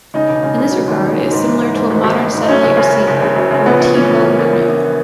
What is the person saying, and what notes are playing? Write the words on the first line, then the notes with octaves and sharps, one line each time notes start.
In this regard it is similar to a modern satellite receiver or TiVo unit.
C#3 D#4
E1
C#3
C#3
F#3
D#2
E1
C#3
G#2
E3
G#2
G#2
G#1
G#1
G#1
G#2
D#4
F#2 C#4
F#1
C#3
F#1
F#1
C#3
F#2
C#3
A#1 B3
A#1
E3 C#4
A#1
A#1 A#3
A#1
A#1
A#1